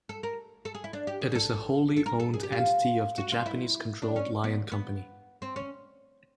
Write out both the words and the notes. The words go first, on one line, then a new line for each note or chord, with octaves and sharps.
It is a wholly owned entity of the Japanese-controlled Lion company.
A4
A#4
A4
G#4
E4
D4
G4
G#4
A4
A4
A#4
A4
G#4
G4
F4
F#4
F4
E4
D4
C#4
B3
B3
C4
C#4